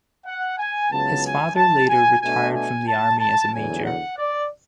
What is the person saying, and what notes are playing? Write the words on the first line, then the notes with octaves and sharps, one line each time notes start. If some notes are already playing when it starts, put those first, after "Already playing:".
His father later retired from the army as a major.
F#5
G#5
C#2 C#3 F#3 B3 A5
G#5
A5
G#5
B2 A3 D4 G#5
G#5
A5
A5
E2 D3 F#3 G#5
F#5
D5